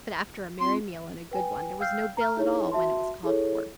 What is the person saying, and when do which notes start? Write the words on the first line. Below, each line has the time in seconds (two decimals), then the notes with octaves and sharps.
But, after a merry meal and a good one, there was no bill at all when it was called for.
0.61 C4 F4 C6
1.31 B4 G5 G#5
1.80 F5 G5 E6 F6 G6 C7
2.17 A#5 F6
2.37 D#4 E4 G#4 A4 C#5
2.72 F#4 E5 A5 C6
3.23 E4 G#4 A4 C#5